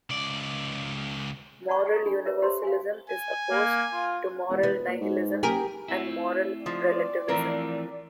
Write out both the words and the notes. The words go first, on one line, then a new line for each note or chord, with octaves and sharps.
Moral universalism is opposed to moral nihilism and moral relativism.
C#2 D5
D5 F#5 A5 B5 C#6
A4 A#5
D4 B5
A#4 B4 C#5 E5
G4 C5 A#5 C6
F5 G#5
G#5
A#3
F4
E1
B3
A#2
G#2
F#1 G4 G#4 A#4
A3 C4 E4
F3 G#3 D5
E3 F3 A3 C4 A#4